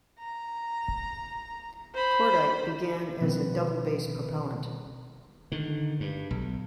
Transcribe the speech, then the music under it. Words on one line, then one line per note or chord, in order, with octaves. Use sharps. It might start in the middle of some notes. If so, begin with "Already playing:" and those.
Cordite began as a "double-base" propellant.
A#5
C5 B5
B2 D#3 F3 G3 C4 B4
D3 D#3
G2
B1